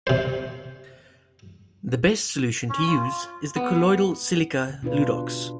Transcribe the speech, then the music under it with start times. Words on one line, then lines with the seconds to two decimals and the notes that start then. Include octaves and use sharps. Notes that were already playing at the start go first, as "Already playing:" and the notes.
The best solution to use is the colloidal silica, Ludox.
0.07 C3 C5
2.69 C#4
2.87 F4
3.56 B3
4.70 C#3
4.83 B2 D4 F4 B4